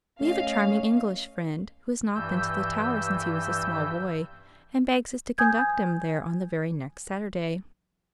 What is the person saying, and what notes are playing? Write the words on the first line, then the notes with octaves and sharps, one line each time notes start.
We have a charming English friend who has not been to the Tower since he was a small boy, and begs us to conduct him there on the very next Saturday.
A3 C#4 D#5 F5
G2 E3 E6 G6
G#5 D#6 G6 G#6